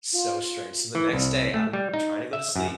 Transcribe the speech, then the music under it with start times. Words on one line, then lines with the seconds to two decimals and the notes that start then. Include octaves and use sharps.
so strange, so the next day, I'm trying to go to sleep,
0.13 F4
0.95 E3
1.13 C2
1.54 A3
1.73 G3
1.94 D#4
2.33 E5
2.56 F#2